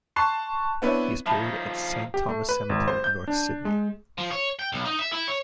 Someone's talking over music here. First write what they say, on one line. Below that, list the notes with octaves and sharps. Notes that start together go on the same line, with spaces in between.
He is buried at Saint Thomas cemetery, North Sydney.
A5 C6 C#6 F#6 C7
B3 C4 D4 E4 B4 C#5
F3 D#4 E5 A5 B5
G4
A3
B4
G#1
C5
G6
D4
G#3
F3
C#5
G5
B1
D#4
E5
E4
C#5